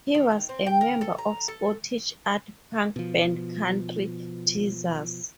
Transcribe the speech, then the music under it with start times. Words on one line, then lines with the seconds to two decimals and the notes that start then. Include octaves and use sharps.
He was a member of Scottish art punk band Country Teasers.
0.14 D#3
0.31 D#3
0.49 C4
0.67 G5
0.81 A#4
1.01 A4
1.18 A#5
1.48 A4
2.96 B2 F3